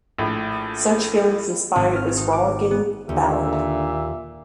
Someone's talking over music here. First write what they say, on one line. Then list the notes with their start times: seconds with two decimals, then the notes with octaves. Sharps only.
Such feelings inspired this rollicking ballad.
0.18 A#1 A2
1.76 G#1
1.96 F6
2.17 D#4
2.33 D6
2.71 B3
3.09 D#2 A#2 D3 E5